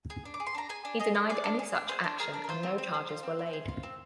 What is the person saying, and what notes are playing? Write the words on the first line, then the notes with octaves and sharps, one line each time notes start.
He denied any such action and no charges were laid.
G#4
D4
D6
G#4
C6
D4 A#5
G#4 G#5
D4
G#4 D#5
D4
G#4 D5
D4
G#4
D4
G#4 C5
D4
G#4 A#4
D4
A#4
F4 C5
C4
C4
G#4
F4
C4
C4
G#4
F4
C4